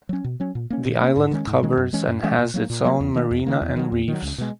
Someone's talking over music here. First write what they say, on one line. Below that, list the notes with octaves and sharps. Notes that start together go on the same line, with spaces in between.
The island covers and has its own marina and reefs.
F#3 C#4
B2
F#3 C#4
A#2
A#3 C#4
A#2
A#3 C#4
G#2
D#3 G#3 C#4
G#2
D#3 G#3 C#4
F#2
E3 G#3 C#4
F#2
E3 G#3 C#4
A#2
F#3 A#3
A#2
F#3 A#3
E2
D#3 A#3
E2
D#3 A#3
E2
D#3 F#3
E2
D#3 F#3
C#2
B2 G#3